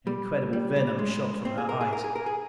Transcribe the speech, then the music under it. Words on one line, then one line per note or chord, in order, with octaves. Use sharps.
An incredible venom shot from her eyes.
G3
G3
G3
G#3
C4
G#4
A#4
G#4
A#4
G#4
A#4
G#4